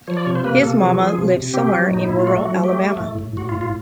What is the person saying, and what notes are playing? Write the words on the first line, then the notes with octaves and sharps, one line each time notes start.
His mama lives somewhere in rural Alabama.
F3 C#5
D5
C3 C#5
C5
A#3 B4
C3 A4
F3 G#4
F3 G#4
C3
C3
C4 G4
F#3
A#2 D#4
A#2 E4
F4
A3 F#4
F#3 F#4
A3 G4
A3
A2
A2
A2 F#4
F4
A2
F4